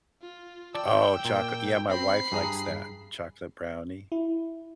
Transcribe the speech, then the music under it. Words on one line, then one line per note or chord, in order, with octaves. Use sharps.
Oh, chocolate. Yeah. My wife likes that. Chocolate brownie.
F4
D5 G5 A5 E6
A#2
C4 B5 C7
G2 G#4 A#5
E4